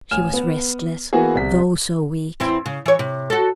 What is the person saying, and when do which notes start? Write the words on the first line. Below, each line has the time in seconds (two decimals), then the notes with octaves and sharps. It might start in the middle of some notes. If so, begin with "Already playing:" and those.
She was restless, though so weak.
0.11 A1 G#5 F6 E7
0.33 B3
1.13 E3 A#3 B3 E4 F#4 G#4
1.35 C2 B6
2.40 E2 C4 E4
2.66 C#3
2.86 E3 C#5
2.99 C3
3.30 F#4 A4